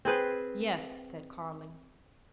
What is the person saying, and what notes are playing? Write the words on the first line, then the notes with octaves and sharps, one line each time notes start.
"Yes," said Carling.
C4 G#4 B4 C5